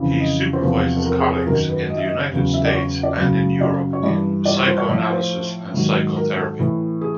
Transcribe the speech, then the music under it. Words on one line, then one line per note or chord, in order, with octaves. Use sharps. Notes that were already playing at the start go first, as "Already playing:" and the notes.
He supervises colleagues in the United States and in Europe in psychoanalysis and psychotherapy.
Already playing: F2 C#3 E3
D#5
C5
E2 C3 F3 B4
A4
A#4
G#4
G#4
F#2 D#3 F#3 A#4
B4
D#5
E5
D#5
E2 C#3 F#3
E5
D5
C#5
D5
F#2 C#3 F#3
D5
C#5
G2 E3 D5
D5
C#5
C5
C#5
A2 F3 D5
C5
G#2 D#3 F#3
A#4
A4
A2 E3
G#4